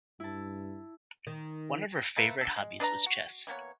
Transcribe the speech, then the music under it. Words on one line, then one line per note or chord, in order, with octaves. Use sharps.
One of her favorite hobbies was chess.
G2 E4 A5
D#3
A3 A#3 B4 A5
D3 A4
G#3
D4 B4 D#5 A#5
F#4
E3 A#3 B3 C#5